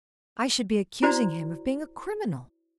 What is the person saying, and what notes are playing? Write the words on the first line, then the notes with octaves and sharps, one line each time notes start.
I should be accusing him of being a criminal.
E4 F#4 C5 D5 A#5